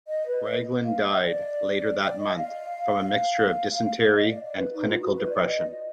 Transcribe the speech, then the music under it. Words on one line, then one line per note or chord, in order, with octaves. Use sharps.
Raglan died later that month from a mixture of dysentery and clinical depression.
D#5
B4
D#5
F5
D#5
D5
D5
D#5
F5
F5
F5
F5
D#5
D5
D5
B4
D#4
F4
F#4
B4
D#5
D5
D#5